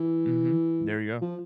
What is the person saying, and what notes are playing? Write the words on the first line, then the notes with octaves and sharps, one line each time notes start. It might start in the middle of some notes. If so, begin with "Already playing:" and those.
Mhm. There you go.
Already playing: E3
F3